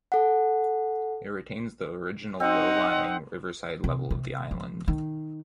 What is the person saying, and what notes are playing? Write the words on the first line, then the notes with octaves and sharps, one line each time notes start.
It retains the original low-lying riverside level of the island.
A4 F#5
C4 D#4 C5 D#5 F#5
C3
C3
F3
D#3